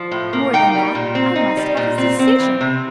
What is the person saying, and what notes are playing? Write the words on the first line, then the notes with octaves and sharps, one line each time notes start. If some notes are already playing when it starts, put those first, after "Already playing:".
More than that, I must have his decision!
Already playing: F3
A2
A#3
D#4 G5
G3
A#2
C4
D#4
G3
A#2
C4
C4
E3
C3